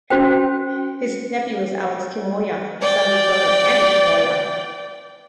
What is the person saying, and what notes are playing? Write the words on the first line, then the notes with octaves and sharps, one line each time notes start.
His nephew is Alex Kiwomya, the son of his brother Andy Kiwomya.
C#4 F#4 C5 G5
D5 G5